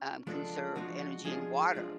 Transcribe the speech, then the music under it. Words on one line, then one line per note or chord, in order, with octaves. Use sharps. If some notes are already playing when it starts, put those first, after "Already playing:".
um, conserve energy and water,
Already playing: C#4
F3 G#3 B3 D4 F4 A4
F3 G#3 D4 F4 F#4
F3 G#3 D4 F4 G#4
F3 G#3 D4 F4